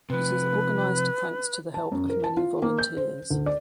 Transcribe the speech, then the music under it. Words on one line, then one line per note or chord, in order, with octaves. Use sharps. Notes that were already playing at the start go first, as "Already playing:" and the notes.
It is organized thanks to the help of many volunteers.
C3 F3 B4
A5
F#2
A#4
A5
F4
A#3
G6
C5
D2
D5